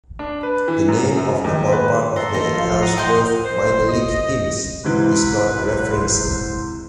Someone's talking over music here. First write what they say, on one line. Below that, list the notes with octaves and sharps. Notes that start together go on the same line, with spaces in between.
The name of the ballpark of the Ellsworth minor league teams is not referenced.
D4
B4
E3
F#2
F#2
D#2
B4
A4 A#5 C6
E3 G3 A#3 D#4
F3 F4
F#5 A#5 D#6
D#5 G5 C6 G6
C5
D#5
G#2 C3 E3 B4
C5